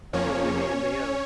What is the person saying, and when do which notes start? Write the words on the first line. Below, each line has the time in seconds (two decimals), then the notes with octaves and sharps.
I couldn't think anything else.
0.13 F2 F3 A#3 C#4 C#5